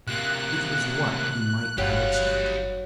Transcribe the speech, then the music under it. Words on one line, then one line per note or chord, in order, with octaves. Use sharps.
It was what he might have expected.
C3 A#3 F#6
G1 F#3 G4 F5